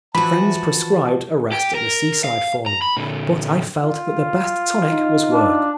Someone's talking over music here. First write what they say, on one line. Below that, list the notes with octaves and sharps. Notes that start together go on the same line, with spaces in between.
Friends prescribed a rest at the seaside for me, but I felt that the best tonic was work.
E3 F3 F#4 A5 B5
G4
A#4
F5
A#5
B5
A#2 D3
F4
D#4
D4